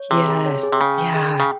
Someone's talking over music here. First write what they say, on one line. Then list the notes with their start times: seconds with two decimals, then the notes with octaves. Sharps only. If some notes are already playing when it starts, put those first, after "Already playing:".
Yes, yeah.
Already playing: C#5
0.11 C3 G#4
0.28 G#4
0.46 C#5
0.63 G#4
0.72 C3
0.81 C#3 G5
0.98 G5
1.15 G#4
1.34 G5
1.40 C#3